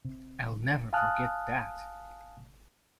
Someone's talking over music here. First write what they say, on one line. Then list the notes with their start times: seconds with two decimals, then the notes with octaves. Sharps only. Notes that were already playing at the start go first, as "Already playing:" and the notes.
I'll never forget that.
0.05 C3
0.93 F5 G#5 A5 D#6 F6 F#6